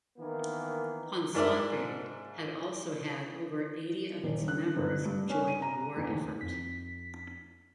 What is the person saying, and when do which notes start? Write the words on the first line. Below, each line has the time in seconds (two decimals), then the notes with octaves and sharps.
Ponsonby had also had over eighty of its members join the war effort.
0.18 D#3 E3 A#3 B3
1.35 G#2 D4 A#4 D5 E5
4.24 D#1
4.48 F#6
4.76 G1
5.05 G2
5.30 C#4
5.48 D#7
5.62 A#5
5.96 E2
6.10 D#2
6.41 F2 B6